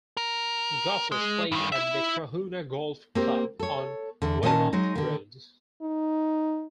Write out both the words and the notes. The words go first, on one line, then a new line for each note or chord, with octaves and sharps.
Golfers play at the Cohuna Golf Club on Weymouth Road.
A#4
G#3
G2 D#3
E4 E5
A#3 C4 G4
A4 C#5
E2 D3
A#2 D#3 C#4 D#5 A5
F#3 G#3 D#4
D3 D#3
D#4